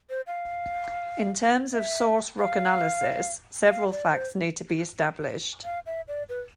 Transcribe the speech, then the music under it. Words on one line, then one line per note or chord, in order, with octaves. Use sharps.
In terms of source rock analysis, several facts need to be established.
C5
F5
E5
F5
F5
D5
C5
F5
E5
D5
B4